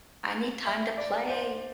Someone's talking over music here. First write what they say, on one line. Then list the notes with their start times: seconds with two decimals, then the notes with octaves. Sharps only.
I need time to play."
0.66 E5
0.98 D5
1.29 C5